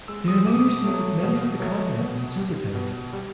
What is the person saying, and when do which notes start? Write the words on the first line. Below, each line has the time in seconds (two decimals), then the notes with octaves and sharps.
They are later seen with many of the comrades in Supertown.
0.08 G#3 E6
0.28 D#6
0.46 B2 D6
0.54 D#6
0.62 D6
0.84 F#3 A3
1.23 B2
1.60 F#3 A3
1.99 B2
2.37 G3
2.75 B2
3.13 G3